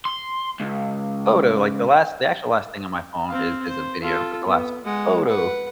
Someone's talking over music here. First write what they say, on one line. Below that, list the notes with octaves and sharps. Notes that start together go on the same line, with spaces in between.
photo, like, the last the actual last thing on my phone is is a video, but the last photo
C6
C#2
C4 F5
C5
F4 A4
B3
G#3 F#5
B4 F#5